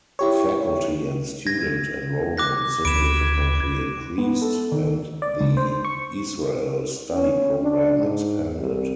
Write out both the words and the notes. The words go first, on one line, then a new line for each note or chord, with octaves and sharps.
Faculty and student enrollment significantly increased, and the Israel study program expanded.
E4 G4 C#5
G#6 A#6
D6 F#6 A#6
D2 B5 G#6 D7 E7
B3
A4
D#3
D5
C#2
C5
C#6
C#4
D4
G#2
C2